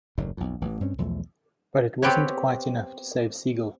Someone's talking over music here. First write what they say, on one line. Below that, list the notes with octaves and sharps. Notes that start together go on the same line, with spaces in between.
But it wasn't quite enough to save Siegel.
F#1 D#2 A2
B1 F2
A1 E3
G2 C4 C#4
B1 E2 F3 A3
B3 C4 G4 B4 C#5